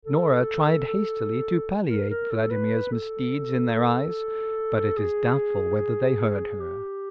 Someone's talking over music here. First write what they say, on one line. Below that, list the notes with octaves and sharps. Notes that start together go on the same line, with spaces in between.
Norah tried hastily to palliate Vladimir's misdeed in their eyes, but it is doubtful whether they heard her.
A4
A4
A#4
A#4
A4
B4
A4
G#4
G4